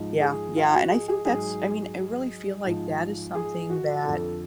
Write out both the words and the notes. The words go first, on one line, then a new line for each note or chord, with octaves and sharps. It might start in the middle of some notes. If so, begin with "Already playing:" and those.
Yeah, yeah. And I think that's I mean, I really feel like that is something that
Already playing: G#2 F3
G#4
F4
F#4
G#4
G#4
G#2 F#3 G#4
G#2 F3
G#4
F#4
F2 D3 F3 A4